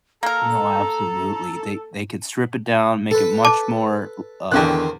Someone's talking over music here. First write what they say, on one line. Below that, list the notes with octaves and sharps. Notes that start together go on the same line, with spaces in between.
No, absolutely. They they could strip it down, make it much more l uh,
A#3 A4 A#4 A#5
A4 B4
A5 D6
E2 D3 D#3 C4 F#6